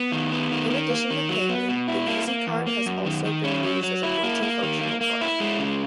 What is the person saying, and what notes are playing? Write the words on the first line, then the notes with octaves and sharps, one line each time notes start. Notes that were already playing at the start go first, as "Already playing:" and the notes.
In addition to payment, the EasyCard has also been used as a multifunctional card.
Already playing: B3
D#3
B3
D#3
D#3
A#3
D#3
F#3
B3
B2
E4
A#3
A#3
E2
A#3
F#2
D#3
D#3
C#4
F#3
F#3
E4
A#3
A#3
D#3
A#3
A#3
E4
G#3
C#3